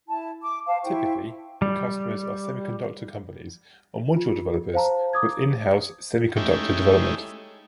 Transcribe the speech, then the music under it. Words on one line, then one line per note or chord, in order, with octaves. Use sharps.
Typically, the customers are semiconductor companies or module developers with in-house semiconductor development.
E4 A5
D6
C5 F5 A5
E4 C5 G5 C#6
G3
F4
C5 F5 A5 A#5
D6 D#6 G#6
G#3 A3 C#4 D#4 E4 G4